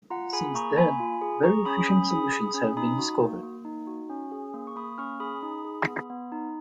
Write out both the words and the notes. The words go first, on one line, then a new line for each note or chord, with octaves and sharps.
Since then, very efficient solutions have been discovered.
F4 F#5 A#5
G#4 G#5 B5
A#3 A#5 C#6
A#3 G#5 B5
F4
G#4
G#4 A#5 C#6
C#4 B5 D#6
C#4 B5 D#6
G#4 B5 D#6
G#4
C#4
D#4 B5 D#6
F#4
A#3
A#3
D#4
F#4
C#4
G#4
A#3
C#6
A#3 B5 D#6
C#4 C#6 F6
G#4 B5 D#6
D#4
G#4
B3
B3
D#4